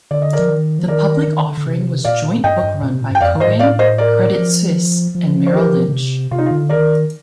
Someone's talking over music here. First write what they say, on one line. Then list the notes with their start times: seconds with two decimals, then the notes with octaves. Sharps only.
The public offering was joint bookrun by Cowen, Credit Suisse and Merrill Lynch.
0.11 D3 D5
0.22 D#5
0.33 A#4 D5
0.39 F3
0.50 D#3
0.79 F3
0.88 D#3 A#4 D5
1.27 D#3
1.47 D3
1.57 D3
1.66 C3
2.04 A#2 D5 F5
2.44 G2 D#5 G5
2.63 G2
2.82 A#2
2.92 C3
3.02 A#2
3.11 G2
3.15 G5
3.21 F2 D5 F5
3.35 G2
3.40 C5 D#5
3.47 A2
3.59 D5 F5
3.79 C5 D#5
3.98 A#4 D5
4.38 F3
5.15 F3
5.47 C5
5.53 G4 A#4
5.89 D3
5.92 C3
6.31 C3 F4
6.38 D#4
6.46 F4
6.51 D3
6.69 D#3 A#4 D5